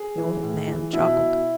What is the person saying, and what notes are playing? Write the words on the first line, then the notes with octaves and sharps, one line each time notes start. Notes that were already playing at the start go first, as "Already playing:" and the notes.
The old man chuckled.
Already playing: G#4
E3
A2
E3
B2 E4
B2